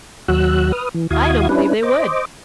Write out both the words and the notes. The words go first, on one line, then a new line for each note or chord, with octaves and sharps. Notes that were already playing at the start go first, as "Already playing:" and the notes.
'I don't believe they would.
D#2 F#3 F#4 E6 F#6
B4 D#6 F6
E3
D#2 E4 F#4 F5 D#6 G#6
C#4 D4 E4 B4
C5 D#5 D6